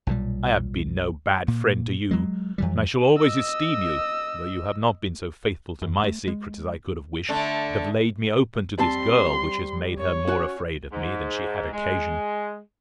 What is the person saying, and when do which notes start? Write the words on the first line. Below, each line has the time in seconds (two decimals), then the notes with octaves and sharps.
I have been no bad friend to you; and I shall always esteem you, though you have not been so faithful to my secrets as I could have wished, and have laid me open to this girl, which has made her more afraid of me than she had occasion.
0.07 B1 A#2 C#3 G3
1.48 A#2
2.11 F#3 G#3
2.58 F2 E3 G3
3.17 D#5 E6
5.82 F#2
6.04 A3
6.28 G#3
7.29 D3 A3 D4
8.78 G3 C4 A5 C6
9.98 C#5
10.27 C#4 F#4
10.92 G#2
11.73 G#3